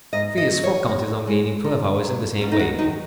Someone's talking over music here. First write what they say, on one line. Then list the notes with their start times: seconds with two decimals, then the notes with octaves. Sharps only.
Phileas Fogg counted on gaining twelve hours in the same way.
0.13 G#2 D#5
0.37 D#5
0.51 F#3
0.64 C#5
0.89 A#2
1.27 G#3
1.64 A#2
2.02 F#3
2.41 G#2 C#4
2.52 D#4
2.59 F#4
2.78 D#3 F#3 D#4